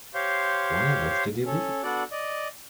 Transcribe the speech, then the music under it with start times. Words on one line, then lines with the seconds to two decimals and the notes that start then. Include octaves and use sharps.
Why on earth did you leave?
0.14 G4 C5 C#5 F5 C6
1.46 C#4 A4
1.83 B3 D4 F#4 A4 D5 F#5
2.11 D5 D#5